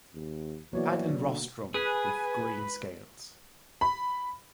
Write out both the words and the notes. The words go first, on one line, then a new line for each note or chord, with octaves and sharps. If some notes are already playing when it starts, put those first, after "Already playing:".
Head and rostrum with green scales.
D#2
E3 F#3 A#3 B3 F#4 C#5 D5
D3
G#4 B4 G#5
B5